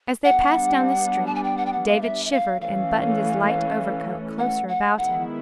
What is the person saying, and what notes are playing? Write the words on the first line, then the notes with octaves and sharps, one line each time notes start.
As they passed down the street, David shivered and buttoned his light overcoat closer about him.
G3 B3 D4 F#5
A5
G#5
G5
F#5
G5
F#5
F5
E5
E5
F5
E3 A3 C#4 F5
F#5
F#5
D#3 G#3 B3 E4 F#5